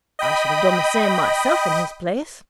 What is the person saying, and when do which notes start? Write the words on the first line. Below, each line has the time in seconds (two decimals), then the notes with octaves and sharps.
I should have done the same myself in his place.'
0.19 D#5 G5 B5 D#6